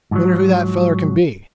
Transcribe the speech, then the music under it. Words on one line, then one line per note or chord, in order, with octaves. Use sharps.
Wonder who that feller can be.
G#2 F3 F#3